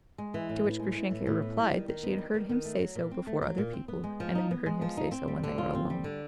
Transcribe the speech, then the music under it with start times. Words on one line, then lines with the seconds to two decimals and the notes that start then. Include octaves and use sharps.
To which Grushenka replied that she had heard him say so before other people, and had heard him say so when they were alone.
0.18 G#3
0.34 E3
0.49 A2
0.64 A2
0.80 G#3
0.95 E3
1.11 A2
1.27 A2
1.42 B3
1.57 G3
1.72 D#3
1.88 D#3
2.03 B3
2.18 G3
2.34 D#3
2.49 D#3
2.65 A3
2.81 F#3
2.95 A#2
3.11 C4
3.27 A3
3.42 F#3
3.58 A#2
3.73 C4
3.88 B3
4.04 G#3
4.20 F3
4.35 D#4
4.51 B3
4.66 G#3
4.82 F3
4.97 D#4
5.12 C4
5.28 G3
5.44 D3
5.58 F4
5.75 C4
5.90 G3
6.04 D3